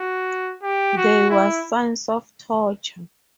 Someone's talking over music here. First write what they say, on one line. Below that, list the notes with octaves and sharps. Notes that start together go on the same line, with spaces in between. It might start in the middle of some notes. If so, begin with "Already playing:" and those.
There was signs of torture.
Already playing: F#4
G4
F#4
E4